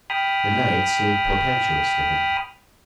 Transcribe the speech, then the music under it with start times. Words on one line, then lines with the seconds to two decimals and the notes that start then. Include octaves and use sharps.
The night seemed portentous to him.
0.10 G5 B5 D#6 F6